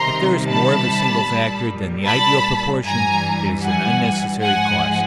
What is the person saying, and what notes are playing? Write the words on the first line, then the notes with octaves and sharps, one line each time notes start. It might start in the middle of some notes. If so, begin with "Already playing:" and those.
If there is more of a single factor than the ideal proportion, it is an unnecessary cost.
Already playing: C3 D#3 G3 A#5 C6
A5 B5
A#2 G3
A5 B5
G2 E3 G3 G#5 A#5
F#5 G#5
G#2 F3 G#3 F#5 G#5